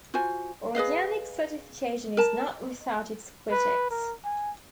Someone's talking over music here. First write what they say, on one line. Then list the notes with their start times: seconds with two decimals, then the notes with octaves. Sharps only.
Organic certification is not without its critics.
0.14 F4 F#4 C5 G#5
0.75 G#4 B4 D#5 F5
2.17 A#4 A5
3.52 B4
3.90 A#4
4.25 G#5